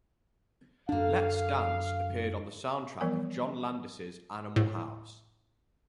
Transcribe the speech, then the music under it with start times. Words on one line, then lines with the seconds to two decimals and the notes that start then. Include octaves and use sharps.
"Let's Dance" appeared on the soundtrack of John Landis's "Animal House".
0.89 F#2 D3 A#3 D4 F5
3.01 E3 F3 G3 B3 A#4
4.56 A2